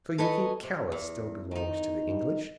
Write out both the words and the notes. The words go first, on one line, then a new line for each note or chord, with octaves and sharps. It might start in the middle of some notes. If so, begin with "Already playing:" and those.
"So you think Calais still belongs to the English?"
A4 B4 C#5 D#5 G#5
C3
E2
D#3 D#4